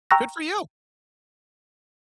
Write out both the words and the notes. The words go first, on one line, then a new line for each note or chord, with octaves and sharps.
Good for you.
G5 A#5 C#6 E6 F#6 A#6